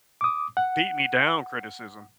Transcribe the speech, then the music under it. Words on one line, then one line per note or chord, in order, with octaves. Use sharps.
beat-me-down criticism.
D6 D#6
F#5